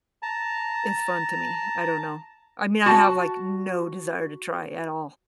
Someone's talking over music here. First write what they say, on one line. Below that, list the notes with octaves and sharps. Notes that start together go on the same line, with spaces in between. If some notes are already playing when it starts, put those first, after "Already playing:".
as fun to me. I don't know. I mean, I have, like, no desire to try at all.
A5 A#5
F#4 A5